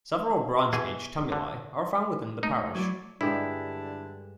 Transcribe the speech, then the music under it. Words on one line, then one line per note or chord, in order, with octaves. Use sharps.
Several bronze age tumuli are found within the parish.
B2 E3 G#4
D3
A3 D#4
F#3 E4 D5
G2 D3 G#3 D4 E4 G4